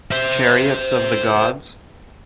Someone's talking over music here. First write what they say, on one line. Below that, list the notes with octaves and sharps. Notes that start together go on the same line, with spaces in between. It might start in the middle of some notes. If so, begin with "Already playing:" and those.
Chariots of the Gods?
C5 E5